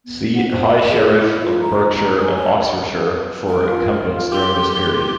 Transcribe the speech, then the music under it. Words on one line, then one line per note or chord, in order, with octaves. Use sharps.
See High Sheriff of Berkshire and Oxfordshire for incumbents during this period.
B3
F#5
C5
D#5
G#4
E4
F4
A#5
A#5
G#5
C#5
F4 A#4
G4 C6